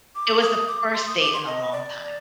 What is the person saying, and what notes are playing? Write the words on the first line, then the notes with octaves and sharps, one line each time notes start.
it was the first date in a long time.
D6
D#6
D6
C6
D#6
D6
C6
D#5
D5